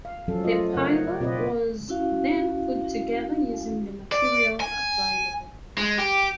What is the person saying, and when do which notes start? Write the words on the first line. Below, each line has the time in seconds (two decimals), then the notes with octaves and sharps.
The pilot was then put together using the material available.
0.05 F5
0.28 F3 F#3 C#4 A4
0.44 A3 F4 D#5
0.74 C#3 A#4 C#5 F#5
1.07 D5
1.20 B2 C4 F4 B4 D5 D#5
1.88 C#4 E4 F#4 F5
4.12 D5
4.60 G#5
5.78 G#3
5.98 G4